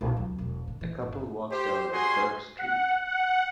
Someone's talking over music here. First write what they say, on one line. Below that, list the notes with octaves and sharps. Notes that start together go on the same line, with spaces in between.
A couple walks down a dirt street.
B1
C#2 F#3
E1
D3
E3
G1
G4 C5
G3 F#4 G#4 G#5 C6
F#5
F#5